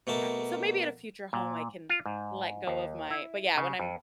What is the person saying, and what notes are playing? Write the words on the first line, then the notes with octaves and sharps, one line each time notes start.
happy. So maybe at a future home I can let go of my but, yeah, when I'm
B2 A3 A#3 A5
A#2
F4
G#2
D#2
E4
C#3
F2